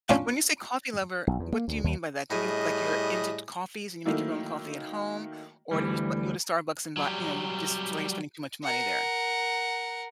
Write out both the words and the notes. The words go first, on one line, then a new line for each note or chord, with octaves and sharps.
When you say coffee lover, what do you mean by that? Do you mean, like, you're into into coffees and you make your own coffee at home, or you s uh, you go to Starbucks and buy you know, you just it's like you're spending too much money there?
C#4 D4 F4 F#5
B1
E2
A#3
D2
D#2
A2 G3 G#4 D#5
D#3 F#3 A3 A#3 D#4 E4
D2 E3 G3
F#3 G3
A#4 F#5